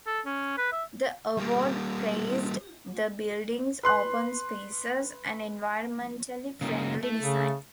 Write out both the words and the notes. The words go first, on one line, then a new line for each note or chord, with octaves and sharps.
The award praised the buildings open spaces and environmentally friendly design.
A4
C#4
B4
E5
G3 A#3
B4 C6 F#6
C#3 A#3 D#4
A3
C#3